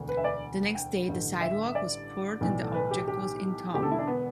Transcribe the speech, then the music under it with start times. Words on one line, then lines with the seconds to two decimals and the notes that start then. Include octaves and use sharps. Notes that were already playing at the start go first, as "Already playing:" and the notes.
The next day the sidewalk was poured and the object was entombed.
Already playing: E1 D2 D3
0.09 B4
0.17 E5
0.24 D5
0.75 G5
1.08 A1 G2 D3
1.41 E5
1.75 D5
2.41 B1 A2 E3
2.62 A4
2.74 B4
2.91 G4
3.08 G4
3.74 E1 E2 D3 G4
3.82 A4
3.91 E4
3.99 D4
4.07 B3